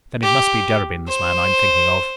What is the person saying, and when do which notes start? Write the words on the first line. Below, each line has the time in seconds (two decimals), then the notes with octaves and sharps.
Then it must be Derebin's man I am thinking of.
0.22 G4
1.08 C5